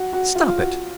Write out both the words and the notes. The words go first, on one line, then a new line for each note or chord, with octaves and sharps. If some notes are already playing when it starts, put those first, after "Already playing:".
Stop it!
Already playing: F#4
F#4
F4
F4
F#4